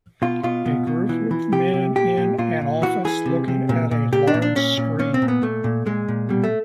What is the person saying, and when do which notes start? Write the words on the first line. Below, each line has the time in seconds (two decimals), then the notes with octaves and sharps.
A group of men in an office looking at a large screen.
0.22 B2 F4
0.43 B2 F4
0.66 B2
0.87 B2
1.09 E3
1.31 E3
1.52 C3 G4
1.74 C3
1.96 A#2 G4
2.17 A#2
2.38 A#2 F4
2.61 A#2
2.82 E3 F#4
3.05 E3 G#4
3.26 C3
3.48 C3
3.69 A#2
3.91 A#2
4.12 A#2 G4
4.27 D4
4.34 A#2
4.42 D4
4.56 A#2 C#4
4.77 A#2
4.99 A#2 C#4
5.14 C4
5.22 A#2
5.28 B3
5.42 A#2 A3
5.64 A#2
5.86 A#2 G#3
6.08 A#2
6.29 B2 G3
6.44 A3